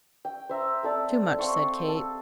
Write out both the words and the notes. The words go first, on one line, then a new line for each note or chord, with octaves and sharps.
"Too much!" said Kate.
G5
C5 E5 A#5
C4 A4 D5 A5
C4 F5 C6 C#6
A4